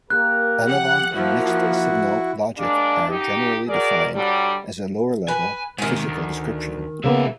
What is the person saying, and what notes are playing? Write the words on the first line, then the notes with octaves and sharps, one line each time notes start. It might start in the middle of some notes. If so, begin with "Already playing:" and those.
Analog and mixed-signal logic are generally defined as a lower-level, physical description.
A#3 G4 A#4 F#6
F3 G4 F#5
F3 A#3 E4 F#4
G#3 A#3 D4
F#2 D#4 G4
F#4 G#4 A#4 D5
D3 F#3 G3
B4 G#5
G#2 C3 D#3 G#5
D2
C#3 F3 A#3 B3 E5